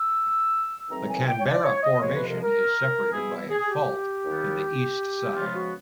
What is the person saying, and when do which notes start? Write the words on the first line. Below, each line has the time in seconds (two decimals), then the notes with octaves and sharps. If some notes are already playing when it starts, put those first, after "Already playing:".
The Canberra Formation is separated by a fault in the east side.
Already playing: E6
0.89 G2 D#3 F#3 A3 C4 A#5
1.08 G#5
1.26 G5
1.39 C#5
1.45 D5
1.63 C#5
1.82 D#5
2.01 F2 C3 F3 G#3 C#5
2.15 B4
2.28 A#4
2.43 A#4
3.12 B2 G3 B3 E4 G#4
3.49 G#4
3.68 G4
4.24 D#2 D#3 G3 B3
5.35 C#3 F3 G#3 B3 F4
5.54 F#4